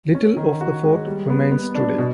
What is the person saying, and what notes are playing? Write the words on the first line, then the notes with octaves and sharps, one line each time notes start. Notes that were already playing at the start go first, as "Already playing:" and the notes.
Little of the fort remains today.
C#4
D#3
F#4
G#3
G3
B3
B3
D4
B2